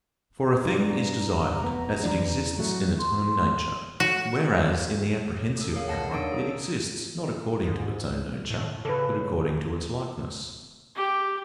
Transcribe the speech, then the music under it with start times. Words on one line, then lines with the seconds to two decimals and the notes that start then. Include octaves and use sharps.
For a thing is desired as it exists in its own nature, whereas in the apprehensive power it exists not according to its own nature, but according to its likeness.
0.65 G2 A#5
1.60 F1 B3
2.03 E2 E3 D4
2.57 A2 F#3 A3 F#4
2.99 C6
4.00 F#4
5.58 A3 A4
5.72 G#4 A#4 C#5 F5
5.88 F#5 A5 A#6
6.11 D4 D#4 A#4 C#5 E6 D7
6.32 G#4
7.63 G#2
8.50 A2
8.85 C#3 A4 B4
10.96 G4